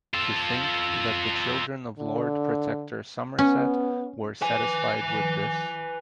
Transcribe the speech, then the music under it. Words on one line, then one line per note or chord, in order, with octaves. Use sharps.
To think that the children of Lord Protector Somerset were satisfied with this!
F4 A4
D3
B3 C#4
B4 G#5